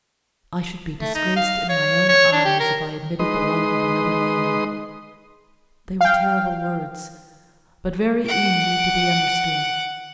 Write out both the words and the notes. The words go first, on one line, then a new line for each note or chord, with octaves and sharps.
"I should be disgraced in my own eyes if I admitted the love of another man!" They were terrible words, but very easy to be understood.
A3
D#4
F5
C#5
C#5
D4
G4
A#4
G#3 D#4 B4 C6 D#6
F5 G5
F#5 D6